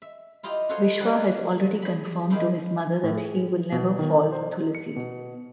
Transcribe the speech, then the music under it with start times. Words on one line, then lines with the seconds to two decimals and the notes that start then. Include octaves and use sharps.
Vishwa has already confirmed to his mother that he will never fall for Thulasi.
0.02 E5
0.43 E4 F4 G4 D#5 A#5
0.69 F4 F#4 A4 C5 C#5 D#5
1.00 G3 D4 D#5 F#5 A5
1.82 G#4 B5
2.30 F3 D#4 E4 G4 G#4 A#4
3.03 A2
3.16 G#4
3.72 B2
3.99 D#3
4.32 C5
4.75 C#7
4.96 B2